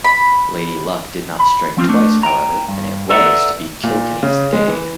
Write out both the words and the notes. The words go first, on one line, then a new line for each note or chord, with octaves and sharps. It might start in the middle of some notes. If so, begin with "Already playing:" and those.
Lady Luck did not strike twice however and it was to be Kilkenny's day.
B5
B5
F3 C4 D4 F4
A3 D4
G5 A#5
G2
A4 B4 D5 E5 F#5 A#5
A#2
C#3
G#3
E3